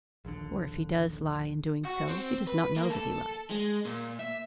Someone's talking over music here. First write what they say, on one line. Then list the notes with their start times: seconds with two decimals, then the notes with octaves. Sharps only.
Or, if he does lie in doing so, he does not know that he lies.
0.25 A#1 D#2 D3
1.85 F#4
2.08 C4
2.47 B4
2.76 A#3
2.90 A4
3.50 G#3
3.85 A#2
4.19 E5